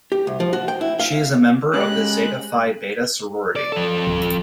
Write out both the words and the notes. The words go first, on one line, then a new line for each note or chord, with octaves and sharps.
She is a member of Zeta Phi Beta sorority.
G4
C2
F3
F#4
G5
E4
F5
C#3 G#3 C#4 G4 F#6
D5
F3 A4
D1